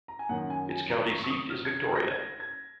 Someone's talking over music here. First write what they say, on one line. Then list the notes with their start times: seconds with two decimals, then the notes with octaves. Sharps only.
Its county seat is Victoria.
0.08 A#5
0.19 G#5
0.29 F#2 D#3 F#5
0.50 G#5
0.70 G#5
0.90 A#5
1.11 C#6
1.24 C#6
1.30 D#6
1.50 F6
1.65 G#6
1.80 G#6
1.95 A#6
2.11 G#6
2.40 G#6